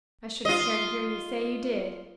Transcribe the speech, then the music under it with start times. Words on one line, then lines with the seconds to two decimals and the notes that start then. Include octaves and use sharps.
I shouldn't care to hear you say you did.
0.45 F4 D#5